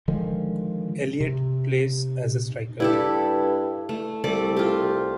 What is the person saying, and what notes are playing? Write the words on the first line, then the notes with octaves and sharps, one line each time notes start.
Elliott plays as a striker.
D3 D#3 F3 G#3
C3
G2 E4 G4 A4
A3
C2 G3 A3 D5
F4 G4